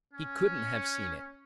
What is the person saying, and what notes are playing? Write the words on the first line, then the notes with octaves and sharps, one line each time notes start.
He couldn't have seen it ...
C#4